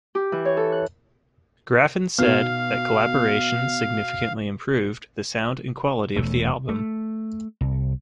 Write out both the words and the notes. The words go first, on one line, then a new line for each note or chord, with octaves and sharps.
Graffin said that collaboration significantly improved the sound and quality of the album.
G4
E3
C#5
A4
F#6
B2 B3 D#4 F5 F6
E1 F2 A3
A3
C2